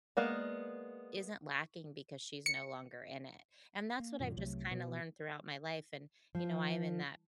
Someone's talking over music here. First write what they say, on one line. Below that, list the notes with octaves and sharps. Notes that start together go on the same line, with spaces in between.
isn't lacking because she's no longer in it. And that's what I've just kinda learned throughout my life, and, you know, I am in that
G#3 A#3 B3 D5
C#7
A#3
F#2 A#2 D#3 F#3
C2 C3 F#3 A3
B2 F3
F3